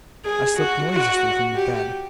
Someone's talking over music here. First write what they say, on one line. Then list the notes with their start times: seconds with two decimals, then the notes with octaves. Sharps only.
I slipped noiselessly from the bed.
0.25 G#4
0.57 F#4
0.90 F#4
1.55 G4